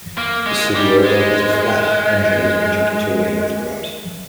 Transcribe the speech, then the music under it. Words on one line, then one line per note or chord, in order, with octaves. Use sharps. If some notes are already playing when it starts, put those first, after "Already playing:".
The city area is a flat, undulating gentle terrain throughout.
A#3
G#3
G3
G#3